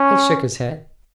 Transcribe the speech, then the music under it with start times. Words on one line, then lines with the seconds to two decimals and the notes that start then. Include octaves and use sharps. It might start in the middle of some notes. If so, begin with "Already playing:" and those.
He shook his head.
Already playing: C#4